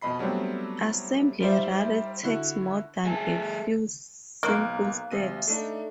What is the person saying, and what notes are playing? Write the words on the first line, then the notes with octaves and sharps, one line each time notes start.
Assembly rarely takes more than a few simple steps.
F2 B2 D#5 B5 C7
F#3 G3 A3 B3 C4 D4
G3 D#4 F4 C5 D5 E5
D3 E4 F#4 F#6
A3 G#4 A5
B1 A#3 F#6
G#1 C3 D#7
A3 D4 D#4